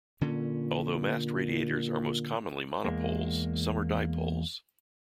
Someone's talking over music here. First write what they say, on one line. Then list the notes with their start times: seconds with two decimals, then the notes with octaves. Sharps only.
Although mast radiators are most commonly monopoles, some are dipoles.
0.21 A#2 D3 C#4
2.85 E2 G#3 A#3